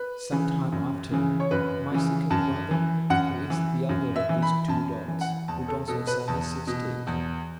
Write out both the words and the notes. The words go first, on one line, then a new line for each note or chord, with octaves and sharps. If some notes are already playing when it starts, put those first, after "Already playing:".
Some time after, my second brother, who is the other of these two dogs, would also sell his estate.
Already playing: B4
C#3 E3
F#2
C#3 E3
C#5
F#2 B4
C#3 E3
F#2 A5
E3
F#2 F#5
E3
F#2
E5
E3
B5
F#2 A5
E3
F#5
E2 A5
A4
B2 A4
B4
E2 A5
B2
E2